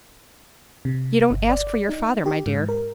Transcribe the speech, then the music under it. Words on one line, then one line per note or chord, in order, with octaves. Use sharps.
"You don't ask for your father, my dear."
C3
G1
D5
D#4
G4
G#2
A#4